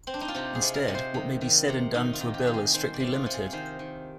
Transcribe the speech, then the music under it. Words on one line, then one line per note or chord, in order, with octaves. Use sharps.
Instead, what may be said and done to a bill is strictly limited.
C4
D4
D#4
F4
C3 G4
G#4
C3
A#4
C3
C5
D#3
D#3
C3
D#3 D#4
F4
D#3
G4
D#3
G#4
D#3 C5
D5
C3
F4
C3
G#4
D#3 C5
D#3